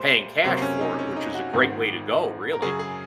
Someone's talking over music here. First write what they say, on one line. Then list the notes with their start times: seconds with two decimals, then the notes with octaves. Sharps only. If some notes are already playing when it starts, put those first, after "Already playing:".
paying cash for it, which is a great way to go, really.
Already playing: C2 A#2 G#3 C5
0.44 C#2 C3 F#3 A#3 C5
0.62 C#4
0.81 D#4
0.99 C#4
1.16 D#4
1.34 F#4
1.53 G#1 G#2 D#3
2.53 A#4
2.62 F#2 C#3 F#3 G#4
2.79 G#4